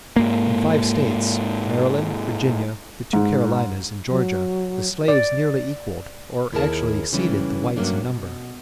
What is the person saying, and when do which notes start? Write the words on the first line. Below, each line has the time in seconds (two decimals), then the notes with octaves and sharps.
In five states--Maryland, Virginia, the two Carolinas, and Georgia--the slaves nearly equalled or actually exceeded the whites in number.
0.16 G#2 A#3
3.13 G#2
4.10 F#3
5.08 D5
6.52 D#2 E4 G#4 A#4 A5
7.13 C#3 E3 G3 A3 C#4 D4
7.76 G2 F#3 A3 A#3 C#4 D4
8.04 B2